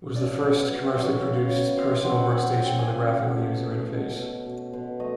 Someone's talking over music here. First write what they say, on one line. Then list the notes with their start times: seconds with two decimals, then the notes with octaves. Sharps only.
It was the first commercially produced personal workstation with a Graphical User Interface.
0.15 C#3 D5
0.42 B3 E5
0.69 F#3
0.96 F#3 E5
1.23 C#3
1.37 F5
1.50 B3
1.77 C4 F5
2.04 C4 F#5
2.31 C4 F#5
2.58 C#3 G5
2.79 G#5
2.84 C#3
2.98 G5
3.11 A3
3.19 F#5
3.38 B2 E5
3.66 C#4
3.93 B2
4.19 B2
4.46 B2
4.73 B2
5.00 A3 D#5